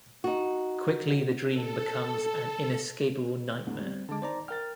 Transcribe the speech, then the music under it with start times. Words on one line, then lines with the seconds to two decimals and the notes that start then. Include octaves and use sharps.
Quickly the dream becomes an inescapable nightmare.
0.24 D#4 F#4
1.49 A4
3.66 E2 A2 D3
3.80 G3 C4
4.09 D3 G#3 A5 D6
4.22 D#3 C5 D5 A#5
4.48 A#4 G5 F6 A6